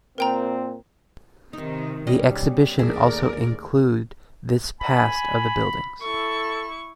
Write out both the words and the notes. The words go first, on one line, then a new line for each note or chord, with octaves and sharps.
The exhibition also include this past of the buildings.
A#2 C4 A#4 G5 A#5
C3 D#3 D#4
B2 G3 C#4 D#5
D#2 A3 G#4 A#4 D5 E5
G#5 B5
E4 A4 C#6